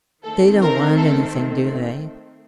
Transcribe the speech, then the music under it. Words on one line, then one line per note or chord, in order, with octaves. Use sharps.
"They don't want anything, do they?"
D#3 A3 C4 A4
A#4
A4